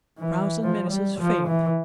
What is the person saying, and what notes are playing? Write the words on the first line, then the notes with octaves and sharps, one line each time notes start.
Frowns and menaces failed.
E3
F3
G3
F3
E3